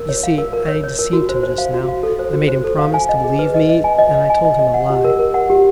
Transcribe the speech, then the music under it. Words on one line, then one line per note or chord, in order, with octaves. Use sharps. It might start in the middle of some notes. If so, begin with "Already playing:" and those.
You see, I deceived him just now, I made him promise to believe me and I told him a lie.
Already playing: A#4
C#5
F5
A#4
A#4
C#5
C#5
A#4
F#4
C5
C5
F5
F#4
F5
A4
C5
F#4
C5
A4
F5
G#5
D#5
G#4
B4
D#5
D#5
G#5
D#5
D#5
G#5
D#5
D#5
F#5
G4
A#4
A#4
F#5
G4